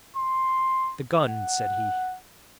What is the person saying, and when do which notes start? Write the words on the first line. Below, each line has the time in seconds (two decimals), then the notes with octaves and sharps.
"The gun!" said he.
0.16 C6
1.29 F#5